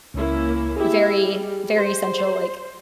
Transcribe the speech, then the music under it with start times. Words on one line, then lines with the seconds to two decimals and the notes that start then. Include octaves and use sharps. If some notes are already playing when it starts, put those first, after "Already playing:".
very, very central, like,
0.14 C#2 A#3 C#4 E4
0.76 E4 G4 G#4 E5
1.16 G3
1.77 C5